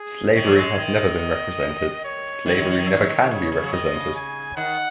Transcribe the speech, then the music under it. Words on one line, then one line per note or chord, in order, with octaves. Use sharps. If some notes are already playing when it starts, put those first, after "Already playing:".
Slavery has never been represented; Slavery never can be represented.
Already playing: G#4
D#3 C#5
F#3
G#3
D#3 D#5
C#5
D#3 C#5
F#3
D#3
F#3
D#3
F#3
D#3
F#3
D#3
C#3 C#5
C#3
F#3
D#3 D#5
C#3
G#5
D#3 F#5